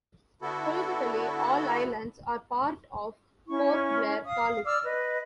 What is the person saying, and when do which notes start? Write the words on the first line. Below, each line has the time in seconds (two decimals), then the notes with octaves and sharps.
Politically, all islands are part of Port Blair Taluk.
0.42 D3 B3 E4 F#4 A4
3.49 C#4 E4 C#6
4.25 F5 D#6
4.65 D5 D6 E6 F6
4.84 B4 D#5